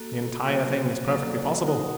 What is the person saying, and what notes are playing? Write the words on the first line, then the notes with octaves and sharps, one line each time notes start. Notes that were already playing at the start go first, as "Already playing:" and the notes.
The entire thing is perfectly possible.
Already playing: A#3 F#4 A4
F#3 A#3 F#4 C5
F#3 A#3 F#4 A4 D5
D#4 F#4 A#4 F#5